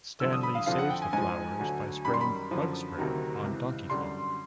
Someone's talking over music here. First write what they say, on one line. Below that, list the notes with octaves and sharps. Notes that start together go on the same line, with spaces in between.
Stanley saves the flowers by spraying bug spray on Donkey Kong.
G2 D3 F3 E6
D#6
B5
F5
F2 D3 F3 F5
F#5
G5
G#5
G#2 G#5
F3
D2 D3 F#3
F#2 D#3 G3 B5
C6
B5
F#2 D3 F3
D2 C3 D#3 F#3
C#2 C3 E3
F#2 D3 G3 C6